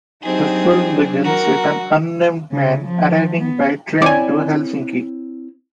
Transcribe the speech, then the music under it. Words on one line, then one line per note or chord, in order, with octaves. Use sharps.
The film begins with an unnamed man arriving by train to Helsinki.
F#3 C4 D4 D#4 G4 G#4
F#4 A#4 A#5
C#3
F3
B3
C4 E4 C#5 D5 G#5